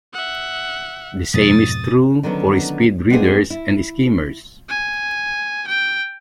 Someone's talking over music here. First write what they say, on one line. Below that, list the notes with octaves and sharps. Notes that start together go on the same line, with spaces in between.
The same is true for speed readers and skimmers.
E5 F#5
F2 G#2 B2 D#6 A6
D3 D#3 F#3 B3 C#4
G#3 B3 C4 D4 F4 G#4
E4
G#5
G5